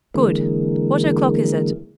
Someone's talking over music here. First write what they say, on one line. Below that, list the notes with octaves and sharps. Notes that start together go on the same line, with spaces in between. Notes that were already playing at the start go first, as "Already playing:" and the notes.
"Good; what o'clock is it?"
D3 E3 G#3 A#3